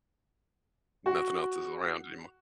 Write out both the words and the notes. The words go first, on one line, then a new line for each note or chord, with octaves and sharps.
nothing else is around anymore.
F#4